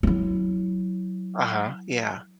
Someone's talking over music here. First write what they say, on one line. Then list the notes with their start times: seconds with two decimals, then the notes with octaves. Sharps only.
Uh-huh, yeah.
0.03 F#3 E4